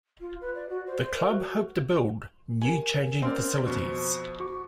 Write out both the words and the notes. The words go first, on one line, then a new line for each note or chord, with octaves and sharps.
The club hope to build new changing facilities.
F4
B4
D5
F#4
C5
C5
A#4
F#4
G4 A#4 G#5
C4 C#4 A#4 D5 C6
F2 B2 C5 C#6
F#4 C#6 D6